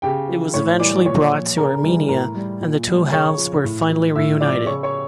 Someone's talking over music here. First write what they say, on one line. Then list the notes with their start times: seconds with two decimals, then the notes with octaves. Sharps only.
It was eventually brought to Armenia and the two halves were finally reunited.
0.02 C#3 G4 G5
0.28 F3
0.54 A2 C#5 C#6
0.79 E3 D5 D6
0.84 G3
1.06 A#2 C#5 C#6
1.32 F3
1.57 C#3 A#4 A#5
1.83 E3 G3
2.08 A2 A#4 A#5
2.35 G3
2.61 A#2
2.87 G3
3.11 C#3 C#5 C#6
3.37 F3
3.64 A2
3.89 F3
4.15 A2 E5 E6
4.40 F3 D5 D6
4.66 C#3 C#5 C#6
4.83 C#5 C#6